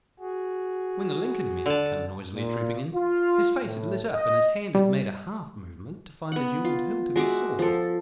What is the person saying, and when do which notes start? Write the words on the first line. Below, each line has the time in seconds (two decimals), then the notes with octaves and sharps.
When the Lincoln men had come noisily trooping in, his face had lit up and his hand had made a half-movement to find the jewelled hilt of his sword.
0.20 F#4 G#4
1.66 D3 A5
2.34 A#2
2.94 F4
3.64 A2
4.14 D#5
4.75 G3
6.32 B3 F#5
6.65 F4
7.16 G#3 F#4 E5 D6
7.59 F3 A4